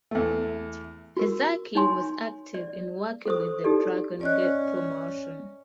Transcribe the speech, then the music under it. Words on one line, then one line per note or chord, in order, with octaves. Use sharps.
Ezaki was active in working with the Dragon Gate promotion.
E2 A3
F#4 A#4
D#4 C#5 G#5 C6
D5
A4 C5 D#6
D#4 G4 A4 D5
C#4 D5 D#5 F#6